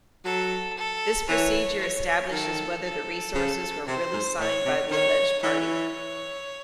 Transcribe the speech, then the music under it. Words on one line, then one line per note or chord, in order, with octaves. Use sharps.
This procedure establishes whether the resources were really signed by the alleged party.
F#3 A4
A4
E3 C#5
C#5
D#3 A4
A4
C#3
C3 C5
G#2
A2 C#5
C3
D#3 C#5
E3 C#5